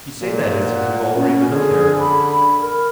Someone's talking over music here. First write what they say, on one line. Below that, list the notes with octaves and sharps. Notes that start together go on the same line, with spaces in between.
"You say that as if you've already been up there."
A#2
F#5
F#2 C#4
D3 G#4
B5
A#4